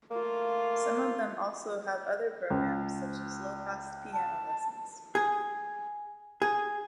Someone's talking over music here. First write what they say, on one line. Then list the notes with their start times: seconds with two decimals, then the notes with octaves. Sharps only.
Some of them also have other programs, such as low cost piano lessons.
0.11 A3 A#3 F4
2.50 C#2
4.13 A5
5.15 G#4
6.42 G#4